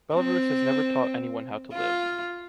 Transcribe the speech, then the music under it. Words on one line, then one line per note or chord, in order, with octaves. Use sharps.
Belarus has never taught anyone how to live.
C4
F4